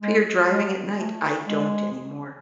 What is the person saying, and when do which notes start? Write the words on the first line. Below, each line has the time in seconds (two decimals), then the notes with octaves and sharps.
Fear driving at night. I don't anymore.
0.01 G#3
0.50 G#3
0.98 A3
1.46 G#3